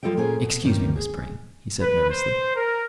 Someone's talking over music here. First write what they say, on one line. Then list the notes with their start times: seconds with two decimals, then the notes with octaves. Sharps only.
"Excuse me, Miss Vrain," he said nervously.
0.03 G3 F4 A4 D#5 G5
0.17 A#2 A#3 C#4 G#4 C5 G#5
0.42 B2
0.65 G2 C3 D#3 A#3 C#4 D#4
0.96 G#4
1.81 B4
2.11 C5
2.55 A#4